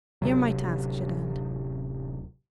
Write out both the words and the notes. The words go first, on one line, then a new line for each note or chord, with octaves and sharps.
Here my task should end.
D1 C2 C3 F#3